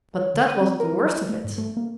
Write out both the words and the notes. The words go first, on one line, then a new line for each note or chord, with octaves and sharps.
But that wasn't the worst of it!
C#5
D3
D#7
C4
A#4
F#3
E4
A3
G#2
A3
A#3